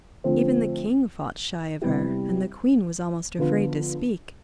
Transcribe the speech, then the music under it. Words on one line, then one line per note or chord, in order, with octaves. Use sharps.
Even the king fought shy of her, and the queen was almost afraid to speak.
D3 F3 A3 C4
C3 G3 B3 E4 G4
D3 F3 B3 F4